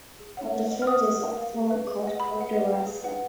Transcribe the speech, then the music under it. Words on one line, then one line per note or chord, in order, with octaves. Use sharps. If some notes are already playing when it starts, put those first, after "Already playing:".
On the fringes is a farm called "Ponderosa".
G#4
C#5 F#5
B4
D#5 F#5
F6
B4 D#6
F#5
A#4
F5
G#4
B4 F5
G#4
D#5 F#5
G#4 B5
B4 F#5
B4
F5
G#4
B4 F#5